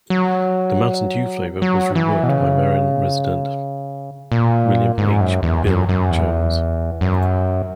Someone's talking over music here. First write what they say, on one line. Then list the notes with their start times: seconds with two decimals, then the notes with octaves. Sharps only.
The Mountain Dew flavor was reworked by Marion resident William H. "Bill" Jones.
0.10 F#3
1.62 F#3
1.95 E3
2.23 B2
2.29 C#3
4.32 A#2
4.98 G#2
5.20 F#2
5.43 E2
5.67 F#2
5.89 F#2
6.10 E2
7.01 F#2